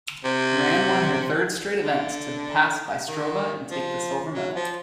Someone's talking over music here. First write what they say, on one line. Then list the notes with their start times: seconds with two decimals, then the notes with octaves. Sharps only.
Rand won her third straight event to pass Bystrova and take the silver medal.
0.24 C3
1.82 D3
3.08 D#3
3.71 F3
4.34 F#3
4.55 F3